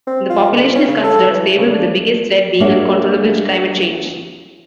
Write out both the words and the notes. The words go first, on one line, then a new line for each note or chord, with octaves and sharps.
The population is considered stable with the biggest threat being uncontrollable climate change.
C4
F4
D3
C#4
C#3
A4
E3
C#3
D4
G#3 A#3 D4 C#5 E5 F#5